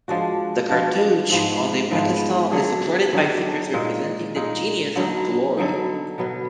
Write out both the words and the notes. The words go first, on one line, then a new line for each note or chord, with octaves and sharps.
The cartouche on the pedestal is supported by figures representing the genius of Glory.
F3 G#3 D4 F#4
F3 G#3 D4 F#4
G#2 F3 G#3 B3
G#2 F3 G#3 B3
D3 F#3 D4 G#4
D3 F#3 D4 G#4
A#2 G#3 D#4
A#2 G#3 D#4
D3 F#3 B3 D#4
D3 F#3 B3 D#4
B2 F#3 B3